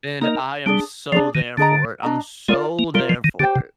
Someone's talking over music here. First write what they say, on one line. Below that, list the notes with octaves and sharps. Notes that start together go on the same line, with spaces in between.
and I am so there for it, I'm so there for it.
A#3 D#4 A#4 D#5
G3 D4 G#4 D5
F3 D4 G#4 D5
D#3
D3 D4 G#4 D#5 A#5
D4 G#4 D#5 A#5
G#3 F4 A#4 D5 F5
A#3
G3 F4 A#4 D5 F5
F3
D#3
D3 G4 C5 G5
C3